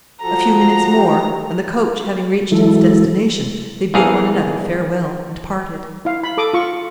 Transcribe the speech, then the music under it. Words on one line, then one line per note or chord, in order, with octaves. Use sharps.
A few minutes more, and the coach having reached its destination, they bid one another farewell, and parted.
F3 F#4 A4 A#5
G4
E3 F#3 G#3 E4 A4
A#1 E2 E3 G#4 A#4 F5
E4 F5
B5
A4 D6 D#6
F4 C#6